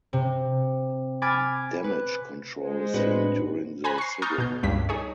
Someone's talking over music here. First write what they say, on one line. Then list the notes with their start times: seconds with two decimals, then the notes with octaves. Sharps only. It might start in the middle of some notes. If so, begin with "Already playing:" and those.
Damage Control is seen during the "Civil War".
0.13 C3
1.22 G#5 B5 D6 F6 G#6 A6
1.84 B4
2.59 G#3 C5
2.94 A2 C4 D4 F#4 B4
3.84 C5 G#5 A#5 B5 F#6
3.98 C#6 C7
4.22 A#5 C#6 D#6 F6 G6 A6
4.38 B2 G6
4.63 C#2 G2 B6
4.89 D#4 G#4 C#5